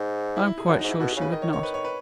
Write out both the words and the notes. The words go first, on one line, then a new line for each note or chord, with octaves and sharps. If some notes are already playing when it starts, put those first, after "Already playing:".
I am quite sure she would not.
Already playing: G#2 D#4
E4
E4
G#4
F#2 F#4
D#4
G#2
E4
B2 F#4
G#4
C#3
B4
D#3 D#5
C#5
C#5
B4
C#5
B4